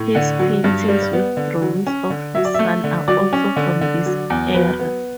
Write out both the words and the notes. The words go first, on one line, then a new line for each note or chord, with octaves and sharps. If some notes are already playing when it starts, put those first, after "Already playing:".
His paintings with drawings of his son are also from this era.
Already playing: A2
D3 F#5
F#3
G2
G3
B3
D3
F#3
C#4
D3
F#3 E5
D5
A3 E5
D3
F#3 D5
C#4
D3
D3
F#3
E2
F#3 B4
B3